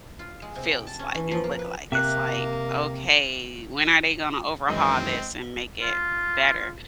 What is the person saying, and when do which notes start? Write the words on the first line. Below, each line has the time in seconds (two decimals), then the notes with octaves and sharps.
feels like and look like. It's like, "Okay, when are they gonna overhaul this and make it better?"
0.19 F4
0.42 G#3
0.56 C3
0.72 G5
0.87 A5
0.99 C#4
1.15 E3
1.31 F3
1.44 A#3
1.59 B4
1.92 C3 A#3 E5 F#6
4.69 F#2 D#3 E3 G#3 C4 D#5
5.82 F4